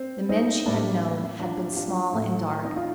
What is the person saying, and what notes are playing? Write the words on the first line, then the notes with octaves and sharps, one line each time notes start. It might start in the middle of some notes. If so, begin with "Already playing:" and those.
The men she had known had been small and dark.
Already playing: C4
C4 D#4
A2 G3 A#3 D4
D4 F4
G4
D4 F4
A2 A3
D#4
F4